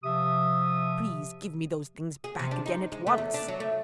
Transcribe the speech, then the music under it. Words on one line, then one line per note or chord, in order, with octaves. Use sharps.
"Please give me those things back again at once!"
C3 F3 E5 D#6
G#4
C3
D4
D#4
G#3
A3
E2
D4
F#3
A3